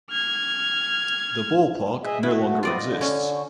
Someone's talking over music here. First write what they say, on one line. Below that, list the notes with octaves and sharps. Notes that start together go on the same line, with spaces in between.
The ballpark no longer exists.
F6 G#6
G#4 D#5 E5
A3 E4 F#4
B3 C4 F4 F#4 D5 D#5
D3
C#4